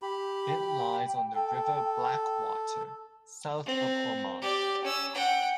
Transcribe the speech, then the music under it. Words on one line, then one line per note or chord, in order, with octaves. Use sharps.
It lies on the River Blackwater, south of Omagh.
G4 B5
G5
A4
C4
G4 D5
C#4 E6
F#5 G5